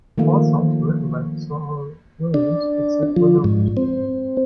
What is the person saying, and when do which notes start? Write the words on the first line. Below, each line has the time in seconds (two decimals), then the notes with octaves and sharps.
All songs written by Saul Williams except where noted.
0.18 D#3 F3 A3 A#3
2.34 D4
3.16 F3
3.44 G#2
3.77 C4